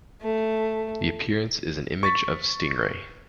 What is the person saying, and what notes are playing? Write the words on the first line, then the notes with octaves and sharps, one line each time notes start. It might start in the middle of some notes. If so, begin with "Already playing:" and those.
The appearance is an image of Stingray.
A3
C#6 A6 B6